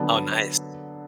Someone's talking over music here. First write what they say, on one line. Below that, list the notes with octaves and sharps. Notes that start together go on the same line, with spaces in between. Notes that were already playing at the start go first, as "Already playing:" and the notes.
Oh, nice.
Already playing: D3 F#3 B3 A5